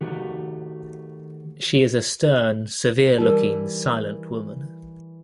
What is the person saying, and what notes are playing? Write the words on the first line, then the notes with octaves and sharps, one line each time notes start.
She is a stern, severe-looking, silent woman.
D#3 A3 F#4 G4
E3 G3 D#4 A#4